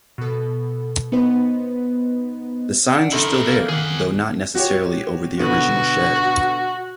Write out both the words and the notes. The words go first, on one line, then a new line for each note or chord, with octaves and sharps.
The signs are still there, though not necessarily over the original shed.
B2 A4
B3 D#4 B4 C5 D#5
D4 F#5
F#2 D#3 E4 A4 A#4
A#3
D#3 G#4 F#5
F#4 G4 C#5
B2 D3 B3 F#4